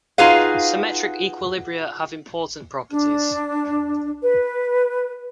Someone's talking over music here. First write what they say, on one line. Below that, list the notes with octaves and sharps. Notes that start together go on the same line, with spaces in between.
Symmetric equilibria have important properties.
D#4 F4 F#4 G#4 B4 F5
D4
B4